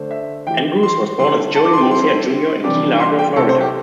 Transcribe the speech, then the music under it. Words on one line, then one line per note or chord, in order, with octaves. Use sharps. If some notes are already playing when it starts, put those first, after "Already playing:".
Andrews was born as Joey Murcia Junior in Key Largo, Florida.
Already playing: D3 A3 D4 C5
E5
E3 A3 E4 G4 G5
C6
D3 G3 E4 A4 C6
A5
D6
C6
G5
G3 C4 E4 A4 C6
C3 E3 G3 D4 G4 D6
C6
G5
C3 A3 E4 A4
C5
G4